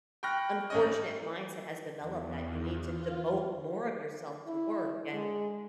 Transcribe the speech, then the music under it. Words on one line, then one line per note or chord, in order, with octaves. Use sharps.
unfortunate mindset has developed that you need to devote more of yourself to work and,
G5 B5 C#6 F6 F#6 A#6
G#1 C#4 D#5
E2
F4
E4
G#3